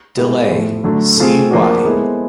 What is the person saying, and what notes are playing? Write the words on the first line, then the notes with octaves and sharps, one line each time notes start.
DeLay, C. Y.
G#3 B3 E4 G4 A#4
A2 F3 A3
D3 F#3 A3
A3 C4 F4 G#4
F3 A#3 D4 F#4
G#3 B3 E4 A4 C5